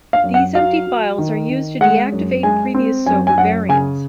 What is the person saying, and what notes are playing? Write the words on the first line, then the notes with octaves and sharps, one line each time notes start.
These empty files are used to deactivate previous Sober variants.
F5
F#2
F#5
F#3 F5
F#3
D#3
D#3
G#3 F#5
F#2
G#3 G#5
C4
F#2 G#5
G#5
F#2 F#5
C#3 G#5